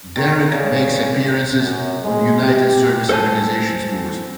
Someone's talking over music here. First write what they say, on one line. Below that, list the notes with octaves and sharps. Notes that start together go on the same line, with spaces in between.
Derek makes appearances on United Service Organizations tours.
D#3
C#3 D5
F#2
G#3
G4
A4 C5 E5 G#5 A5